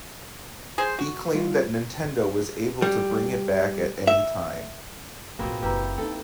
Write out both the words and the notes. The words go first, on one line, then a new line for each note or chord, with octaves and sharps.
He claimed that Nintendo was able to bring it back at any time.
G#4 C5
F#4
G3 F4
G3
E5
A1 B2 F3 A#3 C4 G#4
F#1 E4 G4 B4 A#5
E3 C4 D#4 A4 G5